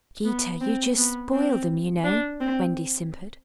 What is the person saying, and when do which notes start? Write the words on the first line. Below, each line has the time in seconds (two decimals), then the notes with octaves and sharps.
'Peter, you just spoil them, you know,' Wendy simpered.
0.25 B3
0.61 C4
0.97 B3
1.32 C4
2.04 D4
2.40 C4